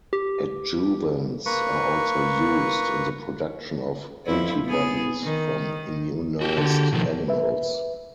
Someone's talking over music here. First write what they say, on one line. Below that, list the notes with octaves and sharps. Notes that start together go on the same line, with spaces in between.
Adjuvants are also used in the production of antibodies from immunized animals.
G4
A#3 B4 C#6
F2 E4
B3 G#4
D#3
F#4 G4
D3
B2 D#3 F3
B4 E5